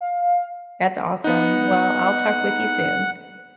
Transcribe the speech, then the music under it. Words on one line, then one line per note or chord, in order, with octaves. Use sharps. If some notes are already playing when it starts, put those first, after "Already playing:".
That's awesome. Well, I'll talk with you soon.
F5
B3 D#4 F#5